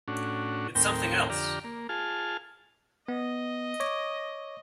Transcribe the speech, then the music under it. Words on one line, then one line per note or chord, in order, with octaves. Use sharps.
It's something else!!!
A2 C#4 D4 F#4
D#2 A2 C4 A#4 G5
F2 D3 G4 D5 A#5 F6
A#3
F4 G#4 A5 F6
B3 D#5
C#5 D6 A#6